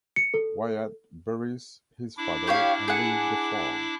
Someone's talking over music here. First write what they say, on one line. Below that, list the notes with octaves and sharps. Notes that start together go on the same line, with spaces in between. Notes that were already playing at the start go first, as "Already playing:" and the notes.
Wyatt buries his father and leaves the farm.
C#7
A4
D4 E4 D6
G4 C#5 F5
G#4 F#5